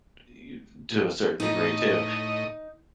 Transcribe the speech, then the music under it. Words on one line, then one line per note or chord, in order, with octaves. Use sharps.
eh, to a certain degree too,
A2 D#4 D#5